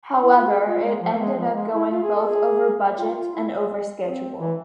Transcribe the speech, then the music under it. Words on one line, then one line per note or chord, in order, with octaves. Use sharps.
However, it ended up going both over budget and over schedule.
E4
F4
G#4
F4
G#3
F3
A3
G#3
F3
G#3
E4
F4
G#4
A4
G#4
F4
F4
E4
C4
E3